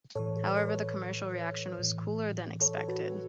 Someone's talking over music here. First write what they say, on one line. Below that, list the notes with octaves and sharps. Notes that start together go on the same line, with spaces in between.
However, the commercial reaction was cooler than expected.
A2 E3 A4 C#5
A4
B4
A4 C#5
A2 E3
A4 C#5
A4
F#4 B4